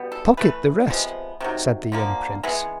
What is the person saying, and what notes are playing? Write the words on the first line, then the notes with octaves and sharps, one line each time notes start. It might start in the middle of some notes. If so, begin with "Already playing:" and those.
"Pocket the rest," said the young prince.
Already playing: B2 G3 B3
A4
E3 A3 B4
C3 F3 G#3 B3
C3 D#3 F#3
D3 F3 A#3
E3 G#3 B3